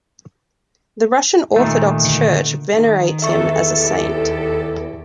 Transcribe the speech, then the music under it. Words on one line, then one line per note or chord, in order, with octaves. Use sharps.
The Russian Orthodox church venerates him as a saint.
A#2 D#3 A3
D3
D#3
E2 A4 E5 C#6
D#2 G4